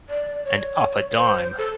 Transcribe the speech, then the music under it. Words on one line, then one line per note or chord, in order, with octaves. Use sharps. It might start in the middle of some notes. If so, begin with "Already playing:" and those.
And up a dime.
D5
C#5
C5
A4